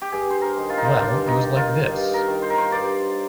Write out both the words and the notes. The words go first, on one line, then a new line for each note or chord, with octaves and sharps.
Well, it was like this.
G4
G2 G#4
C5
A#4
D#3
F4
D#4
F4
G2 D4
D#4
D#3
F4
G2
A#4
D#3
C5
A#4
C5
G2 D5